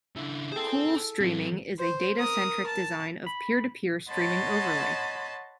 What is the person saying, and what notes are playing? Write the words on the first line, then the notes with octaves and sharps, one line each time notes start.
Coolstreaming is a data-centric design of peer-to-peer streaming overlay.
C#3 D4 E4
G#4 A4 C5 G5
F#3 C4
C5
A#4 D#6
A5
B5
C#5 D#5 F#5 A5 B5 C6